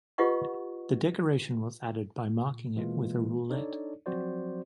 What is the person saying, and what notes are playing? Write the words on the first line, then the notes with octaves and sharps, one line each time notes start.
The decoration was added by marking it with a roulette.
F4 G4 B4 D#5 F#5 C#6
A#2
B2 E3 G#3 A#3 F4
D4 D#4 A4 C#5 D5
F3 F#3 C4 F#4 C5 D5